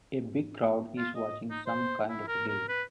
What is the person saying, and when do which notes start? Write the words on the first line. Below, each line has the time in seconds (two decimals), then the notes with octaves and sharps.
A big crowd is watching some kind of a game.
0.98 F4
1.15 D#5
1.50 D#4
1.66 C5
2.09 E4
2.28 A#4
2.48 A#4
2.68 B4